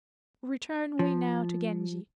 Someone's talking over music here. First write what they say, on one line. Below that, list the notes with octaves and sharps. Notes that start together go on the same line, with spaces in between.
Return we now to Genji.
F3